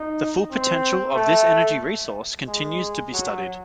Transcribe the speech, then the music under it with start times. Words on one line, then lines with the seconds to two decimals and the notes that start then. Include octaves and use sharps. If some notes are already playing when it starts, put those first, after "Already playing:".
The full potential of this energy resource continues to be studied.
Already playing: D#4
0.51 C4
1.16 A3
2.47 G#3
3.13 F#3